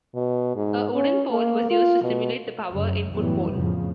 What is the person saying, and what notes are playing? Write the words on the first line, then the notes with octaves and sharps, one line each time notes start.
A wooden pole was used to simulate the power input pole.
B2
G#2
C#4
A#3
F4
B2
F#2 C#3
F#2 A2 E3 F#3 G3 B3
F2 A2 C#3 F3